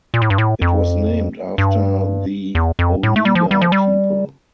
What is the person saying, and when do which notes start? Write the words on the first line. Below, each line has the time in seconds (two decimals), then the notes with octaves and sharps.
It was named after the Oneida people.
0.14 A#2
0.22 A2
0.30 G2
0.38 A2
0.62 F2
1.58 G2
2.55 E2
2.79 F2
3.03 A2
3.16 A3
3.25 G3
3.35 F3
3.51 G3
3.61 F3
3.72 G3